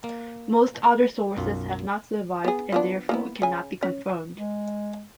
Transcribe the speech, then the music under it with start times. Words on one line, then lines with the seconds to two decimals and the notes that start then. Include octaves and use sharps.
Most other sources have not survived and therefore cannot be confirmed.
0.04 A#3
1.37 B1 F#2 F4
2.44 B3 G#4
2.72 F3 B3 D4
3.09 A#3 B3 E4
3.42 C#3 G#5
3.83 C#4
4.35 G#3